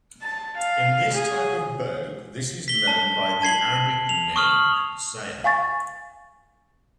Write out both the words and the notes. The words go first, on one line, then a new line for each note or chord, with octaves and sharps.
In this type of bow, this is known by the Arabic name 'siyah'.
A5
F5
G#4
B6 G7
A5
A5 G#6 C7 F#7
F7
C#6 D#6 F6 F#7
F5 G#5 C#6 A6